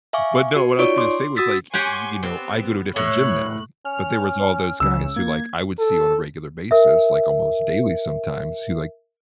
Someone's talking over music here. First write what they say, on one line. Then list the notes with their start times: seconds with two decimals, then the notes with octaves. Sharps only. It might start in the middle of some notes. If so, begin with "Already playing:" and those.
But no, what I was gonna say was, like, y y you know, I go to a different gym now, but there was all those guys who, like, I would see on a regular basis, like, almost daily sometimes who, like,
0.13 E5 F5 G#5 C#6 D6
0.56 F#4
0.79 D#4 F4 C#5 D5 C#6 D7
0.98 C6 D6
1.37 F#4 D#6 E6 A6 B6
1.74 G4 C#5 F#5 G#5 C6 C#6
2.23 B3 C4
2.96 A2 C#5 F#6
3.85 C#4 F6
4.80 C#2 C#3 E6
5.16 A#3 G#6
5.79 A4
6.71 A#4 E5